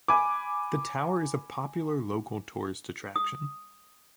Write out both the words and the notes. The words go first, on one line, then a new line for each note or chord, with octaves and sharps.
The tower is a popular local tourist attraction.
G#5 B5 D6
D#6